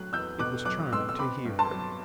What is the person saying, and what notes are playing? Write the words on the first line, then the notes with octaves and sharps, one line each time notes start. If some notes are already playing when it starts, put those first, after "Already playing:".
It was charming to hear her.
Already playing: F#3 A3 F#6
E2 E6 G6
B2 D6 F#6
F#3 D6 F#6
B2 C6 E6
E6
C4 B5 D6
G2
A5 C6
F#3